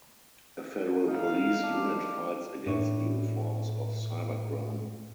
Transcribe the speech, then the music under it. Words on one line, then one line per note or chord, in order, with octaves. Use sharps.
A Federal Police unit fights against new forms of cybercrime.
D#4 F5 F#5
D4
A2 D4 C#5